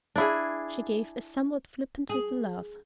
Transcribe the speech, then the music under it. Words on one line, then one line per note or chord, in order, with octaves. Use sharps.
She gave a somewhat flippant little laugh.
D4 E4 G#4
G#4